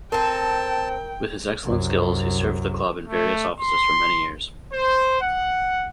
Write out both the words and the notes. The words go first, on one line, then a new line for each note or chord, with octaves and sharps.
With his excellent skills he served the club in various offices for many years.
C4 A4 A#4 G5 A5
C2 F#2
A3
C6
C5
F#5